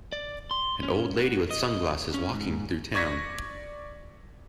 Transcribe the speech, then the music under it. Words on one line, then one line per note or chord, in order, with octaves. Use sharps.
An old lady with sunglasses walking through town.
D5
C6
C#4
F#4
D#5
C#4
G#2
D5 C#6 G#6 A#6 B6 C#7